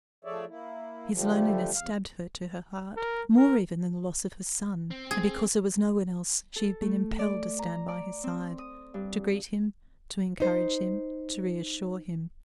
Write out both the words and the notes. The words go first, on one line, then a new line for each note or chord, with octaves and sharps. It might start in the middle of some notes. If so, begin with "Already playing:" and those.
His loneliness stabbed her to her heart, more even than the loss of her son; and because there was no one else, she had been impelled to stand by his side, to greet him, to encourage him, to reassure him.
F3 A3 G#4 C#5 D5 E5
A#3 E4
D3 F3 G3 A3
E2 F5
A#4
A#4
C4
G#4
A4
A3
D5
A#5
D5
C4
D#6
G2
D#4 C5